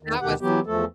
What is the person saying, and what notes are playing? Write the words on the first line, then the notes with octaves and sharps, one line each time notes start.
That was
E2 D#3
D2 B2 D#3 G4 F#5
E3 F#3 B3 G4
E2 F3 A3 A4